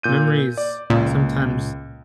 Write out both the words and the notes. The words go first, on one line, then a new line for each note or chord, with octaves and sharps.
memories, sometimes
A#2 G6 D#7
D5
C#2 A#2